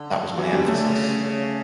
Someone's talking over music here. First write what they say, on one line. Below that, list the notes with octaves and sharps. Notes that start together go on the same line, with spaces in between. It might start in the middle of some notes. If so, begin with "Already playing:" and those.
That was my emphasis.
Already playing: D3
E3 F#3
D3 G3
C#3 A3
D3
C#3
C#3